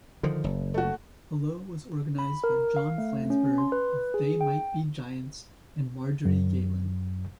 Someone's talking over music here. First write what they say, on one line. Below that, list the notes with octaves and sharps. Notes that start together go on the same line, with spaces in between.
Hello was organised by John Flansburgh of They Might Be Giants and Marjorie Galen.
D3 D#3 F3
F#1
A3 F#4
B5
A#4
F5
A3
C#4
C6
B4
G#4
G5
F#2